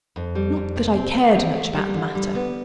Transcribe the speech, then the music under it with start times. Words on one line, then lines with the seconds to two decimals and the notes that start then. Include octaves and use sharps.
Not that I cared much about the matter.
0.16 F2
0.35 G3
0.56 F2
0.76 C3
0.95 C4
1.16 C#3
1.35 C4
1.55 A3
1.75 G3
1.94 D3
2.15 G3
2.35 B3